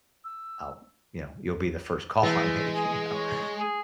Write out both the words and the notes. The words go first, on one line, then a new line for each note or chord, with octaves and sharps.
I'll" you know, "you'll be the first call I make," you know?
E6
E3 G#3 A3
G#4
C#5
G#4